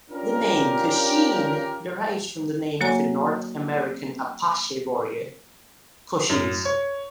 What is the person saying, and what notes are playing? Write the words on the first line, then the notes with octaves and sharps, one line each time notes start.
The name Kosheen derives from the name of a North American Apache Warrior, Cochise.
C#4 D4 F4 G4 A#4
F#3 A#3 F#4 C#5 G#5 A#5
F#2
C#5